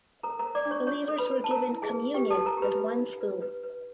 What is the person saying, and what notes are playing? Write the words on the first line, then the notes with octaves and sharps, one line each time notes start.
Believers were given Communion with one spoon.
A4 A#4 A#5
A#4 A#5
C5
D5 D6
D4
C#5 C#6
F4 C#5 C#6
A4
B4 B5
C5
A5
A#4 B4 A#5
E4
G#4 G#5
B4
G4 B4 G5
A4 A5
B4
A#4 A#5
G4 B4 B5
B4
D#4
B4
B4
B4